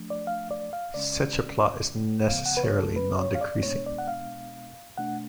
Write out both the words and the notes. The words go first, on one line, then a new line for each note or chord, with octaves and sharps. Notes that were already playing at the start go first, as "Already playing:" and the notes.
Such a plot is necessarily nondecreasing.
Already playing: F3 A3 D4
D5
F5
D5
F5
C#3 G#3 C#4 D5
C#3 F3 B3 F5
F#5
B4
C#5
A4
B4
C#5
F5
D5
B2 G#3 B3 D4 C#5
D5
F#5
F5
B2 A3 D4 F#5